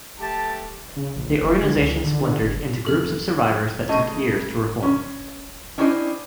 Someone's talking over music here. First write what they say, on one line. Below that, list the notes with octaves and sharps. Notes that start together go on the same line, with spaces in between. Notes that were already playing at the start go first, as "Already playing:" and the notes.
The organization splintered into groups of survivors that took years to reform.
A3 G4 A5
C#3
A#1
D2
F1
D3
C#2
D3
D3
G1
F2 C3 F3 A4 F6
C#3 A3 D#5
C#4
C#4 D4 E4 G4 C5 D#5